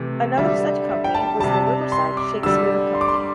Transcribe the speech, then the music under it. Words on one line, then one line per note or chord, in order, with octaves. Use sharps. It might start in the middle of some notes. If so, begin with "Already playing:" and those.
Another such company was the Riverside Shakespeare Company.
Already playing: C3 E3 A3
D3 G3 E5
E5
G5
A5
C3 G3 A5
C6
D6
D3 G3 E6
C6
D6
C6